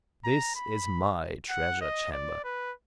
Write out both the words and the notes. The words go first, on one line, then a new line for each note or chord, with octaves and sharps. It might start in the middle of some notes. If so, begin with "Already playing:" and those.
This is MY treasure-chamber.
A#5
B5
F#5
D#5
D5
B4